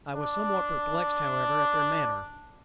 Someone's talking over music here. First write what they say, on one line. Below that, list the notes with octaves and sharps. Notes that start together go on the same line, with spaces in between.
I was somewhat perplexed, however, at their manner.
D4